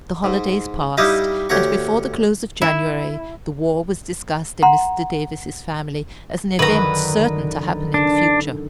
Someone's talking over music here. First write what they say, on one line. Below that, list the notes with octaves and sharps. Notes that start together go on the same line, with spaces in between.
The holidays passed, and before the close of January the war was discussed in Mr. Davis's family as an event certain to happen in the future.
G#2
G3 D#4 E4 G4 D#5 F5
D2 G4 C#5 F#5 A#5 C#6
E4
F#5 A#5 C6
F#2 D3 D#3 B4 A#5
D4